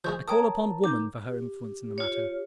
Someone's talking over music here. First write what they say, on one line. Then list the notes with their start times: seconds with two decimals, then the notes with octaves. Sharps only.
I call upon woman for her influence in the matter.
0.04 F3 G#3 G#4 C#6 G6
0.28 A#4 C#5 G5 A5 A#5 D#6
0.84 D#4 D6 G6
1.27 G4
1.98 F4 C#5